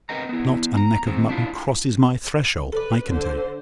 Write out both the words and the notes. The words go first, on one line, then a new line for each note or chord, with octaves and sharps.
Not a neck of mutton crosses my threshold, I can tell you.
C4 A#4 B4 D#5 F#5 A#5
B3 E4
A#5
D#3 G#3 C4
D4 E4 F4
A4 B4 D5
D3 C5